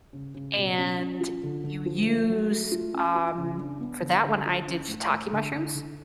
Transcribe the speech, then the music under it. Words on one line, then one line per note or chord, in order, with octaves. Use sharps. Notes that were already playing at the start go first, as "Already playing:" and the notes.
and you use um, for that one I did shiitake mushrooms
C#3
C#3
B2
C#4
C#4
F4
D3
D3
F3
A3
F#3
A3
F4
C#4
F4
C#3
D4
B3
D3
D3
F4
C#4
A2
A2
D3
D3
D3